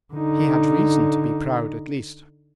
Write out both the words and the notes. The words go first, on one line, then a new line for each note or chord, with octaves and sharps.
He had reason to be proud, at least.
D3 D#4